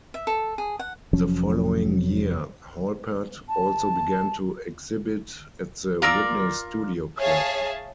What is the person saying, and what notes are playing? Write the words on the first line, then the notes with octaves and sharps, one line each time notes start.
The following year Halpert also began to exhibit at the Whitney Studio Club.
E5
A4
G#4
F#5
F1 F3 F#3 C#4
A5
F4 A#4 D5 E6
G#4 C#5 E5 F5 G#5 A5